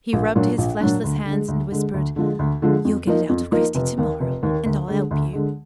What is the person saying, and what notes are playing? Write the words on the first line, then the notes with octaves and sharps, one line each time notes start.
He rubbed his fleshless hands, and whispered: "You'll get it out of Cristy to-morrow, and I'll help you."
A#1
A#2 F#3 D4
A#1
A#2 F#3 D4
D2
D3
G#3
D2
D3 G#3
D2
D3 F3 G#3
D2
D3 F3 G#3
F2
F3 A#3 D#4
F2
F3 A#3 D#4
F1
D#2 D#3
F1
D#2 D#3
D2
D3 G#3
D2
D3 G#3